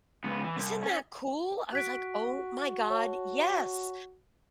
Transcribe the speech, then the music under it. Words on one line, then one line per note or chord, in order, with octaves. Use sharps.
isn't that cool? I was like, "Oh my god. Yes!"
C#2 B3
E3
C2
C#4
F#4 F#6 B6 D7
C#5 A5